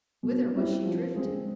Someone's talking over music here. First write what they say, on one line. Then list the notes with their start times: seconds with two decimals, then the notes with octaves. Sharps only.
Whither was she drifting?
0.23 B2
0.54 G3 C4 E4 G4
0.85 F3
1.16 G#3 C4